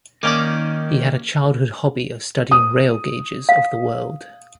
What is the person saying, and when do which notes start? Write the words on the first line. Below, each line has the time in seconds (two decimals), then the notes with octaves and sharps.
He had a childhood hobby of studying rail gauges of the world.
0.23 D#3 A#3 C#4 D5
2.51 D#6
3.49 F5